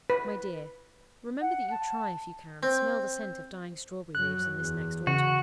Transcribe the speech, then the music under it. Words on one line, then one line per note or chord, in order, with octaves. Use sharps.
My dear, remember that you try if you can smell the scent of dying strawberry-leaves in this next autumn.
B4
F#5
A5
C4
F#2 F#3 F#6
E2
C#3 F#4